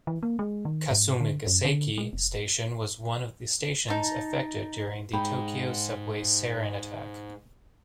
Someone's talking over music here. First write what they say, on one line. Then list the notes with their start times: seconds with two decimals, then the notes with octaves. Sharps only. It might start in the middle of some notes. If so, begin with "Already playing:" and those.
Kasumigaseki Station was one of the stations affected during the Tokyo subway sarin attack.
0.07 E3
0.23 A#3
0.39 G#3
0.65 D#3
0.90 G#2
1.20 D3
1.47 F#2
1.65 D3
1.98 G#3
2.13 F1
3.88 D#4 A5
5.13 G#2 G4 B5